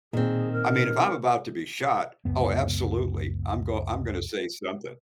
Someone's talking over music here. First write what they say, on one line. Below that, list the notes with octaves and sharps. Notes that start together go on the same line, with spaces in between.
I mean, if I'm about to be shot, oh, absolutely, I'm go I'm gonna say something.
A#2 D#3 C4 G#4
A#4
C#2 F#2 B3